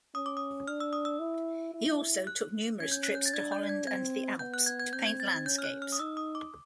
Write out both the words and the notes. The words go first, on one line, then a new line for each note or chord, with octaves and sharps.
He also took numerous trips to Holland and the Alps to paint landscapes.
C#4 D#6
D6
D#6
D4 F6
E6
D#6
E6
E4
E4
F#6
C#4 G#6
G6
F#6
G6
A6
D4 G#6
G6
G#6
C4 G#6
B3 G6
F#6
G#6
G#6
C4 G6
G#6
A6
G#6
C#4 G6
F6
F#6
F6
D#6
D#4 E6
D#6
D6